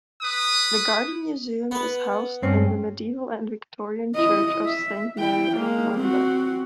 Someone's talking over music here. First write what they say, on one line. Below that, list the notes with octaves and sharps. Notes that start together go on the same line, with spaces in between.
The Garden Museum is housed in the medieval and Victorian church of Saint Mary-at-Lambeth.
B4 D#6
B3 B4
G2 C4 C#4
E4 D#5
E5
E4 G5
G#3 A#3
C4 F#4